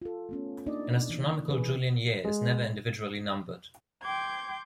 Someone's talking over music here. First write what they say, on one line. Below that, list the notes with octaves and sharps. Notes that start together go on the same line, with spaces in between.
An astronomical Julian year is never individually numbered.
F4 A4
A3 B3 C#4
A#3 D4 D#4 D5 D#5
E3
E3 G#4 B4
G#3
G5 C6 D6 G6 G#6